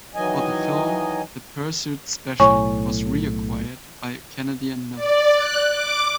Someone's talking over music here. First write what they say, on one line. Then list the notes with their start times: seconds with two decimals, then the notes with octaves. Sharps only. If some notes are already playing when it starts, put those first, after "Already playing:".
For the film, the Pursuit Special was reacquired by Kennedy and Miller.
0.15 D#3 E3 F#3 D#5 G#5
2.40 B1 A2 C#5 G#5 C#6
4.95 D5
5.36 F#6
5.70 D6